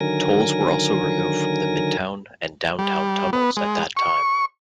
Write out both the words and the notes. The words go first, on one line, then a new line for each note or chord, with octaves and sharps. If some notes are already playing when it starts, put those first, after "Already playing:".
Tolls were also removed from the Midtown and Downtown tunnels at that time.
D3 D#3 F#3 A#4 G#5 A#6
G3
B3
G#3
C#6